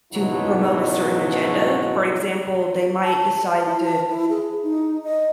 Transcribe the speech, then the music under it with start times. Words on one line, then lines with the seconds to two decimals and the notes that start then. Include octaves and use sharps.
to promote a certain agenda, for example, they might decide to
0.13 G#1 C#2 B2 F#3 D#4 E4
3.01 A5
3.66 E4
3.85 A5
4.09 E4
4.30 G#4
4.63 D#4
5.04 D#5